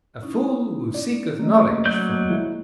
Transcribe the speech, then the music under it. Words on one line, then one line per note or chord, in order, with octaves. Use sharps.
A fool who seeketh knowledge from them!
C#4 D#4 E4
D5
A3 A#3 C#4 D#5
F#3 D5 G6
F3 G#3 E4